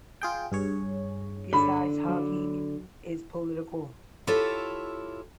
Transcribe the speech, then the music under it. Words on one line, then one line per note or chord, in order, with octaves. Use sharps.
Besides, hockey is political.
F4 G#4 G5
G2 G#4 C#5
D3 B5
F#3
E4 F4 G4 A4 C#5